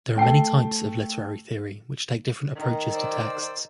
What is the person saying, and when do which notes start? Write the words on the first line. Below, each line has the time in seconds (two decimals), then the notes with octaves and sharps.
There are many types of literary theory, which take different approaches to texts.
0.16 A3 G5 C7
2.55 D#3
2.92 C5 D5 E6